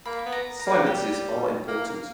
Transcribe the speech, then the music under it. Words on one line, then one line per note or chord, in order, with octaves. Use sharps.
Silences are important.
A#3 B5
B3
A#5
A#5
A#3
G3 G5
A#3
A#3